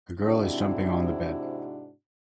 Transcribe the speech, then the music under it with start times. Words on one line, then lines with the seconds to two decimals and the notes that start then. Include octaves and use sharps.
A girl is jumping on the bed.
0.25 G#2 C3 C4 D4 E4 F#4